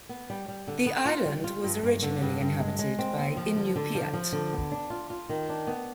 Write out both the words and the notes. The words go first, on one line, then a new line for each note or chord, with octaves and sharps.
The island was originally inhabited by Inupiat.
B3
G3
G3
D3
B3
F4
G3
F4
G2
G2
D3
G2
G2
G#3
G#3
C4
D#2
F3
D3
D3
F3
F3
D3
B3
D4
F4
F4
D#3
D4
B3